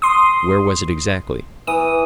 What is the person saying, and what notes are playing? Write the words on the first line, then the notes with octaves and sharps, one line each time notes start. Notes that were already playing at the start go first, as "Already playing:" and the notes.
"Where was it, exactly?"
C6 D#6
E3 D#6